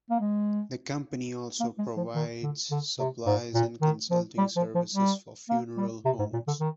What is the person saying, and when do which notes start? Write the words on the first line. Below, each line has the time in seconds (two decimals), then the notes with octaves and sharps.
The company also provides supplies and consulting services for funeral homes.
0.10 A#3
0.20 G#3
1.60 A#3
1.78 G#3
1.97 F3
2.15 D#3
2.43 D3
2.71 D3
2.99 C3
3.26 G#2
3.54 A#2
3.82 D#3
4.11 F3
4.38 G3
4.56 F3
4.75 F3
4.94 G3
5.50 A#3
5.77 G3
6.05 C3
6.19 G#2
6.33 A#2
6.47 D3
6.60 D#3